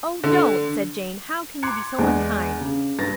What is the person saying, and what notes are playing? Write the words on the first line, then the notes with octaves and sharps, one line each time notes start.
'Oh, don't!' said Jane; 'how can you be so unkind?
D3
C6 D6 F#6 G#6 C7 C#7
E2 G#3 D4
C#3
G2 B4 A6 A#6